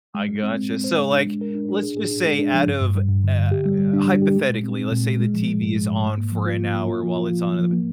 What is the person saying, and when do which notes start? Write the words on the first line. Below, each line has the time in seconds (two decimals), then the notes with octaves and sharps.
I gotcha, so, like, let's just say out of, uh Hypothetically, let's say the TV is on for an hour while it's on in the ba
0.15 G#3
0.29 G#3
0.43 C4
0.57 C4
0.70 C4
0.84 C5
0.98 G#3
1.12 D4
1.27 G#3
1.41 A#4
1.55 D4
1.69 D4
1.83 G#4
1.97 G#4
2.11 D4
2.26 G#3
2.39 D4
2.53 F3
2.67 G2
2.81 G2
2.95 G3
3.09 G2
3.23 D3
3.37 D3
3.51 G4
3.66 G3
3.79 G3
3.94 D4
4.08 G3
4.22 G4
4.36 G#3
4.49 A#2
4.64 C4
4.78 C4
4.92 A#2
5.06 G#3
5.20 G#3
5.34 F3
5.48 G#3
5.62 G#2
5.75 G#3
5.90 G#2
6.04 G#2
6.18 A#3
6.32 F3
6.46 F4
6.60 A#3
6.74 A#3
6.88 F4
7.03 F3
7.16 F4
7.30 F3
7.44 F3
7.59 F3
7.73 A#3